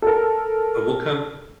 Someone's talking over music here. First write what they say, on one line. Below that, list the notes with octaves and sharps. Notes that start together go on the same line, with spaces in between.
and we'll come
A4 A#4